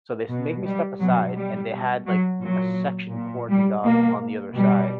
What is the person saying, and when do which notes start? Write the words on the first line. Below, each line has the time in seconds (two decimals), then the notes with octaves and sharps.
So they s made me step aside and they had, like, a section cordoned off on the other side
0.30 B2
0.65 G3
1.00 B2 F#3
1.35 G3
1.71 B2
2.06 F#3
2.42 A#2 F#3
3.13 A#2
3.49 G3
3.84 B2 A#3
4.55 B2 G3